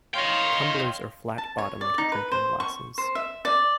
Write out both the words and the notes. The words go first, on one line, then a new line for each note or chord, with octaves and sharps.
Tumblers are flat-bottomed drinking glasses.
C#5 D#5 F5 G5 C6
A5
C#5
D5
D#4
B4
C5
C#6
C5
E5
D5